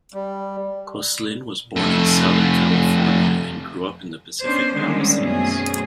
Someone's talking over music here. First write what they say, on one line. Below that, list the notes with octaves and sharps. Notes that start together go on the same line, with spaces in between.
Kosslyn was born in Southern California, and grew up in the Pacific Palisades.
G3
F2 A3
B3 C#4 D4 C5
D3 D#3 G3 G#3 A#3 C#4
F#2 B2 A3 C4 C#4 G#4